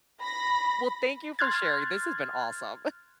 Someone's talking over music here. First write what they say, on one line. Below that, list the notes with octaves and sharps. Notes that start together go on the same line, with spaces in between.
Well, thank you for sharing, this has been awesome.
B5 A#6
C6 F6 F#6 G#6 A6